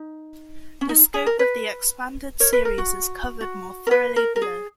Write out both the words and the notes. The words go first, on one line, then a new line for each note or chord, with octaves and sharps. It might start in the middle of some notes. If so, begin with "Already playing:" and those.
The scope of the expanded series is covered more thoroughly below.
Already playing: D#4
C#4
D#4
G#4
A#4
B4
A#4 C#5
B4
A#4
F#4
F#4
A#4
B4
A#4
A#4
G#4